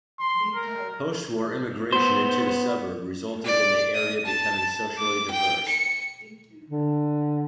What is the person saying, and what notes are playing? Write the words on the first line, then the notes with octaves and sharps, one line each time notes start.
Postwar immigration into the suburb resulted in the area becoming socially diverse.
C6
A#4
B3 C5
D5
D#6
A5
D6
G5
C#7
D3